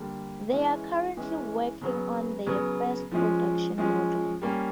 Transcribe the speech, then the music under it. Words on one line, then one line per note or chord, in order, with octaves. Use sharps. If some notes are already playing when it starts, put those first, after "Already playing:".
They are currently working on their first production model.
Already playing: D3 G3 A#3
E3 G#3 C#4
E3 G#3 C#4
C#3 F#3 B3
C#3 F#3 B3
F3 G#3 C#4
F3 G#3 C#4
G3 A#3 C#4